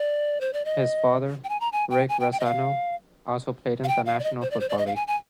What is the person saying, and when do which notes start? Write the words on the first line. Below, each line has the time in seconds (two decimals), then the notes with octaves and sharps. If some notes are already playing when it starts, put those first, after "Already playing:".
His father, Rick Razzano, also played in the National Football League.
Already playing: D5
0.41 C5
0.53 D5
0.65 D#5
1.44 G5
1.49 G#5
1.61 A#5
1.72 G#5
1.90 G5
2.09 G#5
2.20 G5
2.32 G5
2.40 D#5
2.45 F5
3.84 F5
3.88 G5
4.06 F5
4.19 D5
4.24 D#5
4.42 C5
4.51 D5
4.60 C5
4.69 D5
4.78 D#5
4.87 F5
4.96 G#5
5.07 G#5